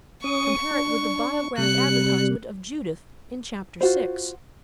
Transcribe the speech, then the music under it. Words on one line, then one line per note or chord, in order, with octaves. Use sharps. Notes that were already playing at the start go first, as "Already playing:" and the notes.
Compare it with the Biograph advertisement of Judith in chapter six.
C#4 C#6 D#6
D4
C3 G3 F#6 C#7
F4 F#4 C5